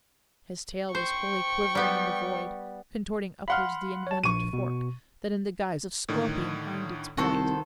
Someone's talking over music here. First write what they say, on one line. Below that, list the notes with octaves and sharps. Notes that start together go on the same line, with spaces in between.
His tail was wholly quivering in the void, Contorting upwards the envenomed fork, That in the guise of scorpion armed its point.
C5 G5 C#6
G3 B3
F5 F#5 B5 C6 F6
C#5 A5
A#1 C#6 D#7
B2
A2 D3 D#3
C2 D#3 F#4 A4 C5